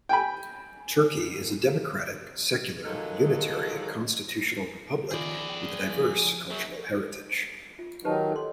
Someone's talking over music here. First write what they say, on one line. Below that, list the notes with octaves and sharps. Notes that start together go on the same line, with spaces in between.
Turkey is a democratic, secular, unitary, constitutional republic with a diverse cultural heritage.
G5 G#5 B5
D#3 F3 F#3 G#3 G#4 A4
D#3 F4 G#4 D5
G5
F3
F#2 F#3 G#4
F4
D#3 F#3 D#4 G4 B4 A5
A4 C6